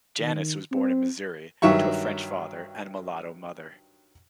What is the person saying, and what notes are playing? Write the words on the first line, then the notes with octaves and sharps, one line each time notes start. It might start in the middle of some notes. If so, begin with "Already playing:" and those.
Janis was born in Missouri to a French father and a mulatto mother.
D#3
C4
G2 D#3 F#3 E5 C#6